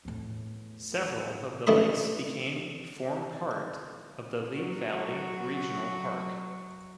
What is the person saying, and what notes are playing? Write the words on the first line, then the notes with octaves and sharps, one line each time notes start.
Several of the lakes became form part of the Lee Valley Regional Park.
E2 A2
A1 A2 E3 A3 D#5 B5
F#3 F#4